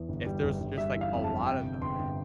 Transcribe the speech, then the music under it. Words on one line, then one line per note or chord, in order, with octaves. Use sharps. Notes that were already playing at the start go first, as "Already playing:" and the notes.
if there's just, like, a lot of them, and
Already playing: E2
G1
G3
G1
G1
G3 E5
E3
F5
F2
A5
G3
C3 G5
G1
G1 C6
G1